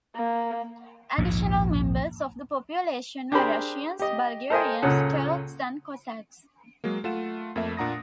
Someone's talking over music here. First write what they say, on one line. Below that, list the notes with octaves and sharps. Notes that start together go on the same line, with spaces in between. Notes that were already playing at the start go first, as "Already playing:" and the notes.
Additional members of the population were Russians, Bulgarians, Turks and Cossacks.
A#3
A#1 D#2 G#2
D4 G4 G#4 A#4 C5 B5
G4 D#5
A4 A#4 C5 D#5 G5 G#5
C#2 A#2 C#3 C#4 A4 F#5
F#3 G#3 A#3
A3 F4 F#5 E7
F2 A3 A#3 E5
A#2 D4 F#5 A#5 D#6 A#6